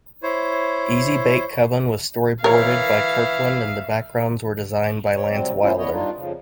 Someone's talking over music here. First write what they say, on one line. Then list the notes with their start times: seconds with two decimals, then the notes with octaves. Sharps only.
"Easy-Bake Coven" was storyboarded by Kirkland and the backgrounds were designed by Lance Wilder.
0.23 E4 C5 C#5
2.44 E3 A#4 C#5 E5 F5
5.13 C#5
5.29 C3 F#3 G3 C4
5.60 A3 C#4 E4 F4 C5
5.77 B3 D4 E4 C#5 D#5
5.91 G2 G3 D4 D#4 F4
6.16 F2 C#3 F3